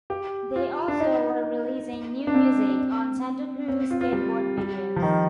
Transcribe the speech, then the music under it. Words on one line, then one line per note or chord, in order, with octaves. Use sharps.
They also were releasing new music on Santa Cruz Skateboard videos.
G4
F4
D4
D#4
D4
C4
C4
F4
F4
G3
G3
F3
D#3